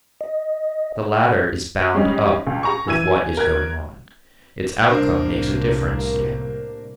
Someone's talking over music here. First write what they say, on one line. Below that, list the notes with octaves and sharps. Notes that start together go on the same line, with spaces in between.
The latter is bound up with what is going on; its outcome makes a difference to him.
D#5
G3 G#3 C#4 D#4
C#2
G#4 A#5 C#6
E3 E6 G#6 D#7
G#5
A#4 F#6 G#6
C2 A2 A#3 D4 A#4 C5